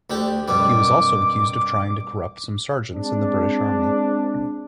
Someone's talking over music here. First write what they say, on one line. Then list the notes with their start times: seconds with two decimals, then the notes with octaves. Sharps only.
He was also accused of trying to corrupt some sergeants in the British Army.
0.10 D2 D4 G4
0.48 F#2 B2 G3 D6
2.93 G#3 C4 D4